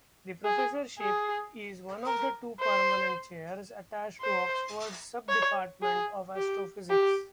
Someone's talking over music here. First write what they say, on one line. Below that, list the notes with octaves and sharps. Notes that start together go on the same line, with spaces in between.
The professorship is one of two permanent chairs attached to Oxford's Sub-Department of Astrophysics.
G#4
G#4
A#4
C5
C5
C#5
G#4
G4
G4